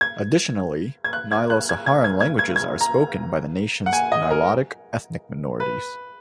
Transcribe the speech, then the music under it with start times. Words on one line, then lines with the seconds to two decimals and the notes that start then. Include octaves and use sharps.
Additionally, Nilo-Saharan languages are spoken by the nation's Nilotic ethnic minorities.
0.01 G#6
1.04 G#6
1.13 F#6
1.32 G#6
1.50 F#6
1.69 G#6
1.86 G#6
2.04 G#6
2.21 G#6
2.39 G#6
2.56 G#6
2.81 A#5
3.86 F#5
3.93 G#5
4.12 D#5
4.31 A#4
5.60 B4